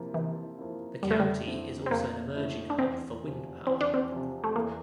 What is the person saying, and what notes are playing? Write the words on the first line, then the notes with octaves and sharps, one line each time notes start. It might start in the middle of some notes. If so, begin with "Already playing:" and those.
The county is also an emerging hub for wind power.
Already playing: C3 F3 A#3 E4
C3 E3
F3 A#3 E4
F2 G3
A3
G3
D3 A3 C4 E4
C4
F2 A#3
D3 A3 C4 E4
D4
E2 C4
C3 F3
E2 C4
D4
C4
C3 F3
A3
E2 A#3